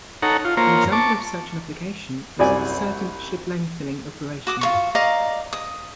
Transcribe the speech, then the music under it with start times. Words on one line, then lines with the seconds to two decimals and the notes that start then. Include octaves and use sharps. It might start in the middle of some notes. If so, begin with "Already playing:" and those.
An example of such an application is certain ship lengthening operations.
0.22 D#4 A4 C#5 F#5 A#5
0.45 F4
0.57 A#3 F4 C5 C#5 A#5
0.92 A5 C#6 D6
2.39 C2 F#2 D5 G#5
4.47 F#4 D6 D#6
4.61 F4 A#4 C#6
4.95 D5 D#5 F5 A#5
5.53 D#6